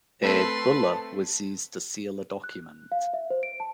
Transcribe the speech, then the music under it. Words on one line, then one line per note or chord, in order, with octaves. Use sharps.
A bulla was used to seal a document.
A3 C4 A4 B4 A5 C6
F#6
F5
E5
C5
D7
A5